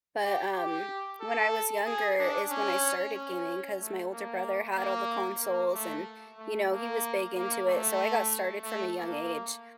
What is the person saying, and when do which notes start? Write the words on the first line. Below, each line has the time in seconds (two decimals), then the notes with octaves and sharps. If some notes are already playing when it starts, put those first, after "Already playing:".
But, um, when I was younger is when I started gaming, 'cause my older brother had all the consoles and, you know, he was big into it, so I got started from a young age
0.24 G4
0.57 G4
1.21 A4
1.86 G#4
2.19 D4
2.51 C#4
3.14 C#4
3.79 A3
4.12 A#3
4.77 A#3
5.41 A#3
5.74 A3
6.38 A3
6.70 A#3
7.35 A#3
7.68 A3
8.64 A3
8.97 A#3